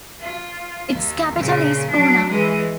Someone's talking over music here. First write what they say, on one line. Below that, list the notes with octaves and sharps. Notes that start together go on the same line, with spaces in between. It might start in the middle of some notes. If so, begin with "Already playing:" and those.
Its capital is Puna.
F4
D#2
A#2 C#3
F#3 D4
E3 G#3